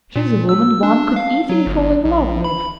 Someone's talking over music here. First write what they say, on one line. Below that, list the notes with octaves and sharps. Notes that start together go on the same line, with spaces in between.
"She's a woman one could easily fall in love with."
A#2
E6
D4
F5
F#3
G1
A#1
B5